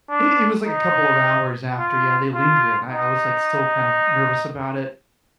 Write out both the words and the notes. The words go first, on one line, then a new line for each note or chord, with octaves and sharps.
It it was like a couple of hours after, yeah, they linger, and I I was, like, still kind of nervous about it.
D4
D#4
F4
F4
D#4